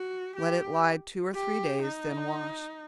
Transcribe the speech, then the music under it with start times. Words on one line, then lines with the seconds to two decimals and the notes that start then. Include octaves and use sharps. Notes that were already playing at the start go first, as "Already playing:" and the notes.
Let it lie two or three days, then wash.
Already playing: F#4
0.36 G4
1.33 G4
1.82 D#4